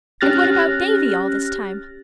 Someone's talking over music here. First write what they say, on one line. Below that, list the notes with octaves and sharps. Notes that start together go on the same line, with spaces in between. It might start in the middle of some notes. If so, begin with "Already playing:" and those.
And what about Davy all this time?
C#4 G4 F6 F#6 A6 A#6